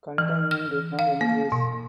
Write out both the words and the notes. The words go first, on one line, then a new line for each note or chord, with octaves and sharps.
Containment did not increase.
E3
F6
F5
A#3
B2